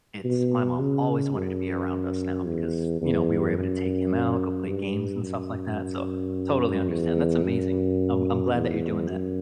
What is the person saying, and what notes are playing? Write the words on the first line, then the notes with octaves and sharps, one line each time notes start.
it's my mom always wanted to be around us now because, you know, we were able to take him out, go play games and stuff like that, so, totally understand. That's amazing. I'm I'm glad that you're doing that.
B2
C#3
F#2
E2
E2
F#2
G2
F#2
E2
F#2
E2
F#2